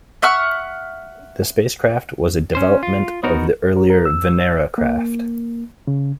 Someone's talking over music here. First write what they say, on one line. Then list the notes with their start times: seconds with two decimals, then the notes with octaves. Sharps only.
The spacecraft was a development of the earlier "Venera" craft.
0.22 E5 F#5 C#6 F6
2.55 C#4 C5
2.83 F4
3.23 B3 D#4 F#4 A#4
3.77 A#4
3.90 A#4
4.05 E6
4.78 A#3
5.87 C#3